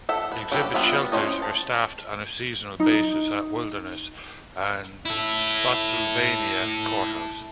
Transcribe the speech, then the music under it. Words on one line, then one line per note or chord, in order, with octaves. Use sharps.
Exhibit shelters are staffed on a seasonal basis at Wilderness and Spotsylvania Court House.
A4 E5 F#5
B4
F#3 D4 G4 A4 B4
G3 B3 D4 F4 E5
C#4 A4 C5 C#5 D#5
A5
D#4
E4 A4